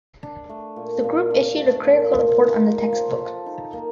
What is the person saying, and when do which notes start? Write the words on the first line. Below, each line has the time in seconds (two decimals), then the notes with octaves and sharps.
The group issued a critical report on the textbook.
0.23 D4
0.49 A3
0.76 A#2
1.04 A#2
1.31 D4
1.57 A3
1.84 A#2
2.12 A#2
2.39 D#4
2.66 A#3
2.92 F3
3.18 A4
3.46 D#4
3.73 A#3